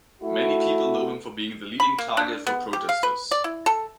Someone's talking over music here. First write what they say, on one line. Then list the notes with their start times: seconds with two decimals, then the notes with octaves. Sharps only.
Many people know him for being the leading target for protesters.
0.22 A3 E4 F#4
1.80 B5
1.98 A#3
2.17 D4
2.47 B3
2.73 G4
2.89 F5
3.03 B4
3.31 D5
3.44 E4
3.66 A4